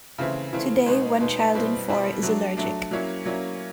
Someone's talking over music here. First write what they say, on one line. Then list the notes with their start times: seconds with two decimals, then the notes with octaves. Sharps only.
Today one child in four is allergic.
0.18 C#3 E3 A3 C4 E4
0.53 C#3 E3 A3 C4 E4
0.86 B2 G#3 B3 D#4
1.20 B2 G#3 B3 D#4
1.55 B2 G3 C4 E4
1.88 B2 G3 C4 E4
2.23 F#3 A3 D4
2.57 F#3 A3 D4
2.91 F#3 A#3 C#4 E4
3.26 F#3 A#3 C#4 E4